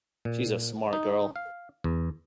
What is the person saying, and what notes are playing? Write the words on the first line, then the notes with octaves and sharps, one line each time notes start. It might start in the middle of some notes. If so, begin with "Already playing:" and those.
She’s a smart girl.
A#2
D#4
F5
E2